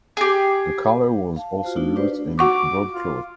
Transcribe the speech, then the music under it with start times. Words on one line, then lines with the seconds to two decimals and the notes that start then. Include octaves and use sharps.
The color was also used in broadcloth.
0.17 G4 G#4
1.36 F5 A5
1.63 F4 F#4 C5
1.76 A3 D4 D#4 F#4
1.96 D4 D#4 G4 B4 C5 D5
2.39 F#4 F#5 C#6 D6
2.92 F4